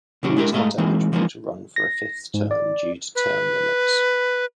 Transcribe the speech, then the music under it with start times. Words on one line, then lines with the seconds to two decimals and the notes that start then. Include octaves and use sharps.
He was not eligible to run for a fifth term due to term limits.
0.23 C3 D#3 F#3 C#4 F#4 G4
0.37 G#3 D4 E4 G4 G#4 A#4
0.52 G#2 G#3 A3 D#5 F5 A#5
0.78 E3 G#3 A#3 C4 D#4
1.12 E3 F3 G#3 A#3 B3 D#4
1.76 A#6
2.34 G#2
2.51 D5
3.15 B4